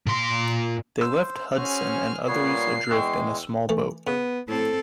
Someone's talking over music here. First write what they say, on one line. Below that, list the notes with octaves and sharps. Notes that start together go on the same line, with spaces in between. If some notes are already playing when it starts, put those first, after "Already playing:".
They left Hudson and others adrift in a small boat.
A#2 C6
C5 E6
C#4 F#4 G#4 C5 F6
A#2 G3 B3 C#5 C7
E2 G#3 G5 C#6 E6
E3 A3
C#3 B3
A2 C4 A4